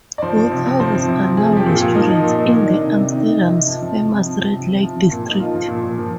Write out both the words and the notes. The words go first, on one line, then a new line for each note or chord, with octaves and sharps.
Both houses are now restaurants in Amsterdam's famous red light district.
D5
F3 C5
F3
C3
C3
F3 C5
F3
C3
C3
F3 G#4
F3 G4
A#2
F4
A#2
F3 D#4
F3
A#2
A#2
D#3 D#4
D#3 D4
C3 D#4
C3 D4
D#3 D#4
D#3
C3
C3
F3
F3
C3
C3
F3
F3
C3
C3
F3
F3
A#2
A#2 D#4
F3 F4
F3
A#2
A#2
F3